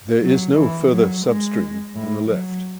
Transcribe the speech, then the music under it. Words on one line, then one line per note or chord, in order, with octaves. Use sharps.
There is no further substring on the left.
F#3
E3
F#3
G#3
A2
F#3